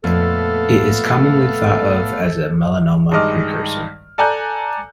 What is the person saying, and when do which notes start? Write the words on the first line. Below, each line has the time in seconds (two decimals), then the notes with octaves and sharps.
It is commonly thought of as a melanoma precursor.
0.04 F2 A#2 A3 B3 A4 F5
3.11 G2 D#3 G#3 D#5 D6 F6
4.18 A4 D5 G#5 A#5 F#6 G6